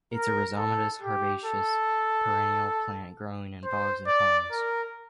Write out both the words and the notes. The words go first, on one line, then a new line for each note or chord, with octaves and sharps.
It is a rhizomatous herbaceous perennial plant growing in bogs and ponds.
A#4
A4
G4
A4
C5
D5
A#4